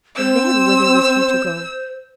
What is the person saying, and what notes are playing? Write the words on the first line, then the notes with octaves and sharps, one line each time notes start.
And then, whither was he to go?
C4 C5 E6